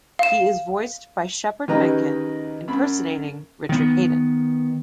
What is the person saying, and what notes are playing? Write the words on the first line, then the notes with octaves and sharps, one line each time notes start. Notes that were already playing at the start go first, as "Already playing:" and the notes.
He is voiced by Shepard Menken impersonating Richard Haydn.
F5 E7
D#2 C#3 G4 B4 D#5 A#5
F#2 B5
D#3 B3